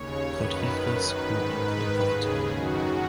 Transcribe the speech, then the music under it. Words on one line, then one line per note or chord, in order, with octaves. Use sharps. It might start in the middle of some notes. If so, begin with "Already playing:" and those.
Rodrigues grew up in poverty.
Already playing: D#2 C#3 C#5
F#2 D#3 B4
F#2 D#3
G#2 D#3
G#2 D#3 B4
D#2 C#3 G#4
F#2 D#3 F#4